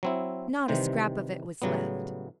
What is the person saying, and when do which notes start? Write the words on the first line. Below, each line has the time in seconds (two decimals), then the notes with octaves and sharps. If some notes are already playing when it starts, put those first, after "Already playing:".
Not a scrap of it was left.
0.03 F#3 C4 E4
0.68 C3 D#3 E3 G3 C5
1.62 A2 C#3 F#3 G3 B3